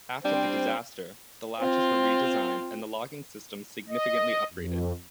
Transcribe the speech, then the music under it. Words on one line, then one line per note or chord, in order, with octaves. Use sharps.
After the disaster, the latches were redesigned and the locking system significantly upgraded.
G3 C4 D4
C4 F4
D#5
F2